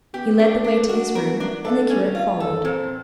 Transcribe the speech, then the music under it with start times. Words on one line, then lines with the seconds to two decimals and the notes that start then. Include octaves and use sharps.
He led the way to his room, and the curate followed.
0.14 B3 G4
0.39 D4
0.64 A#3 D4
0.89 F#4
1.15 B3 A#4
1.40 D4
1.65 B3 A4
1.89 C#4
2.15 F4
2.40 A4
2.65 A#2 C4